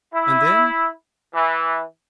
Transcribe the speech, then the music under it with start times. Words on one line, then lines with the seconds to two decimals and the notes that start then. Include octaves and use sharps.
"And then?"
0.14 E4
1.35 E3